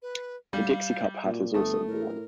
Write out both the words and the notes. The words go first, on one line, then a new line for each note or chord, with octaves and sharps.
The 'dixie cup' hat is also worn.
B4
G3 F5
A#2 F#4
G1 A3 A4 D#6
A2 A#4